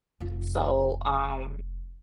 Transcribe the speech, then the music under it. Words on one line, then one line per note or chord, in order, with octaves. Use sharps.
So, um
F1 F4